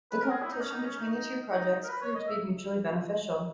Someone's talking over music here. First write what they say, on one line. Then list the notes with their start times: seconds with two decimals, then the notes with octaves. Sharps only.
The competition between the two projects proved to be mutually beneficial.
0.12 B4
0.22 A#4
0.31 G#4
0.42 E4
0.51 D#4
0.61 C#4
0.71 D#4
0.84 C#4
0.97 D#4
1.10 D#4
1.50 D#4
1.84 A#4
1.89 B4
2.02 C#5
2.15 D#5
2.28 E5